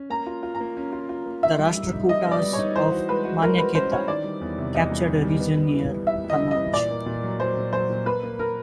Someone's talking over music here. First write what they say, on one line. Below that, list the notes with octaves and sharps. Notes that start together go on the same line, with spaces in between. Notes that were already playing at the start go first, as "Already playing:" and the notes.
The Rashtrakutas of Manyakheta captured a region near Kannauj.
Already playing: C#4
A#3 A#5
F4
F4
A#5
A#3
C#4
F4
F4
A#3
D#4 E5
G3
G3
D#4
G3 D#5
B3
D5
G3
C#5
D#4
E3 C5
F#4
G#3 B4
F#4
F#4 A#4
F#4 B4
C#4 C5
E3 C#5
D#3 D5
G3
E2
C3
E2 D#5
G3
D#3
G3
B3
G3
E3
G3
E3 E5
G3
D#5
G3
D#5
E3
A#2 D5
A#3
A#2
F#3
F#3 C5
A#2
F#3 C5
A#2
A#3 B4
A#3
A#3 A#4